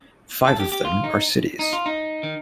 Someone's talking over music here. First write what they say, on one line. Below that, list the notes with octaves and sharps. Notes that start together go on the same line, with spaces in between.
Five of them are cities.
A4
G4
G4
F4
D#4
D#4
F4
D#4
D#3